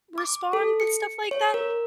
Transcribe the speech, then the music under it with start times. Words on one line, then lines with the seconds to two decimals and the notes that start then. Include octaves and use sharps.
respond with stuff like that.
0.18 D6
0.53 A4
0.80 C#7
1.31 C#5
1.54 A#4